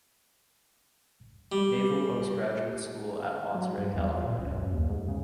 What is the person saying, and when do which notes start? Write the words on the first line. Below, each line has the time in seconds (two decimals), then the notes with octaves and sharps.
Naval Postgraduate School at Monterey, California.
1.52 G3
3.55 F#3
3.78 G2
3.95 E2
4.11 F4
4.26 A#2
4.39 C#2
4.52 F#2
4.73 D#2
4.89 G#2
5.08 C#3